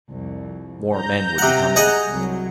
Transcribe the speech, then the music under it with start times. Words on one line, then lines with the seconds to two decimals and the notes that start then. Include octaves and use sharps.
More men would be coming.
0.10 C2 F2
0.96 A#5 G6 A#6
1.38 C3 F#5
1.76 G#4 D#5 F#5
2.08 C2 F#3